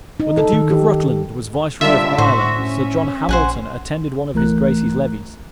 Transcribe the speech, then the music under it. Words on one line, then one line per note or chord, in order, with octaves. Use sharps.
When the Duke of Rutland was Viceroy of Ireland, Sir John Hamilton attended one of his Grace's levees.
D#4
A4
D#3
G4
D3 G3 F4 A#4 E5
A2 F#4 C5
C#4
A#1 C5 F#5 G#5
C2 E3 A3 A#4 A#5 F#6